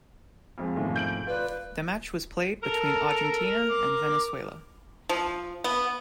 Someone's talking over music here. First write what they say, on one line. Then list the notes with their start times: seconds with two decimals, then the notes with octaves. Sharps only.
The match was played between Argentina and Venezuela.
0.58 F2 F3 G#3
0.76 D#2 G#2 B2 A3
0.96 G6 D7 F#7
1.27 F4 B4 D5
2.63 A4 A#4
3.70 D6
5.09 F3
5.64 B3